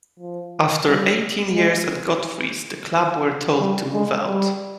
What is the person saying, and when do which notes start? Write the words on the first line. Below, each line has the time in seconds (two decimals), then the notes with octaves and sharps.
After eighteen years at Godfrey's, the club were told to move out.
0.20 F3
0.87 G3
1.55 G#3
3.60 G3
3.94 G#3
4.27 G3